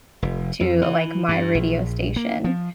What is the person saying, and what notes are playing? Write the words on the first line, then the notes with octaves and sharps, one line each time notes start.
to, like, my radio station,
F1
F2
E3
G2
A#1
A#3
F3